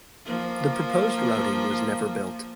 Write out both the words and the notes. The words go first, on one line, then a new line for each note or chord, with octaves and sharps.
The proposed routing was never built.
F3 A#3